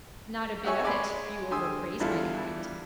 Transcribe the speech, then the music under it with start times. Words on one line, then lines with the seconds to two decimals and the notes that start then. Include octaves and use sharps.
'Not a bit of it; you overpraise my kind.'
0.64 F#4 G4 C#5 E5 G#5 C#6
0.84 G#3 D5 G#5 B5 C6
1.51 D3 G4 G#5 C6 D#6 E6
2.00 E2 D3 G3 E4 F4 A4